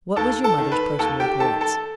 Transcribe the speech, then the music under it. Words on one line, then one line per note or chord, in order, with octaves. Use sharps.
"What was your mother's personal appearance?"
D#2 A4 A5
A4 A5
D#3
B4 B5
D#2 A4 A5
G4 G5
D#3 A4 A5
A4 A5